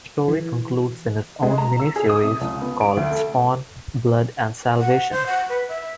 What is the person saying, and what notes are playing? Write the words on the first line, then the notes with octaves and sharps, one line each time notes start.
The story concludes in its own miniseries, called "Spawn: Blood and Salvation".
E3
G#3
A#5
E6
G#4
D#6
C3
C#2
B3
D7
D2
A3
F#5
C5
F#5
B4
E5